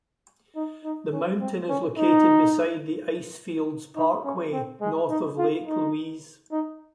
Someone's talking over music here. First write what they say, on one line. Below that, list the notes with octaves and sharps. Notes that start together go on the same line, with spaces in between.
The mountain is located beside the Icefields Parkway, north of Lake Louise.
D#4
D#4
C#4
C4
C#4
D#4
D#4
C#4
C4
G#3
D#4
F4
D#4
D#4